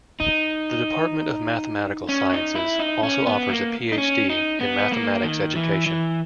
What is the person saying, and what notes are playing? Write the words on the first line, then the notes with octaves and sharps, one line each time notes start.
The Department of Mathematical Sciences also offers a Ph.D. in Mathematics Education.
D#4
C#4
D#4
E4
D#4
C#4
B3
A#3
D#4
C#4
D#4
B3
A#3
D#3
E3
E3